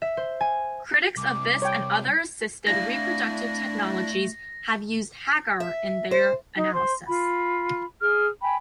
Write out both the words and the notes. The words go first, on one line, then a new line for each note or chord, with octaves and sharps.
Critics of this and other assisted reproductive technologies have used Hagar in their analysis.
E5
C5
G#5
C2 D6
C#5 G5
A3 D4 E4 F5 A#6
E5
C5
D#4
C5 C6
F4 B5
G#4 F6
G5 G#5 B5